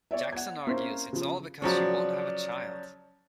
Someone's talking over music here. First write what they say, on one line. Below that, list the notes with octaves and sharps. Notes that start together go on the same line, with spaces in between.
Jackson argues it's all because she won't have a child.
C#5 D5 E5
F#5 G#6
A#3 C4 C#4 E4 A#4 C5
C#3 F3
C#3 F3 F#3 C#5 D5